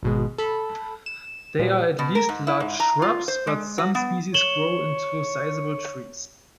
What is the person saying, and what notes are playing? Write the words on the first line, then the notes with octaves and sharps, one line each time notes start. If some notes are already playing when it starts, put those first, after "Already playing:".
They are at least large shrubs but some species grow into sizeable trees.
G#1 B2 G#3
A4 B5
E7
A#2 F3 G3
B2
A#4
G#2
E4
G#2
A#5
F4
C5
G#3
F#3
B3
C#5 E7 F#7 G7